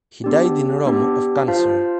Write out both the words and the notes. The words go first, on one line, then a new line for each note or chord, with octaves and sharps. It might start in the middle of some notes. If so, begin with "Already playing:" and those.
He died in Rome of cancer.
B3 D4 G4
B3 D4 G4
F4 C5 F5 A5